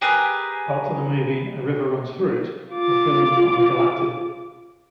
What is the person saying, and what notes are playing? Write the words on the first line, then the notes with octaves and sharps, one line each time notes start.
Parts of the movie "A River Runs Through It" were filmed on the Gallatin.
G4 G#4 A#4 B4
F4 D6